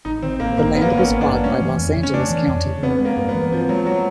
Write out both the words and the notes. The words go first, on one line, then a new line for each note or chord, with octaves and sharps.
The land was bought by Los Angeles County.
A1 D#4
D#3 C4
A1 A#3
G2 A#3
A1 B3
A#3
B3
D#3
C#4
A1
D4
G2
A3 C#4
E3
F2
C#3
C#4
A3 D4
E3
F2
C#3
B3 C4
G#3
A#3
G2
B3
E3
F3 C4
F#3 G#3
F#3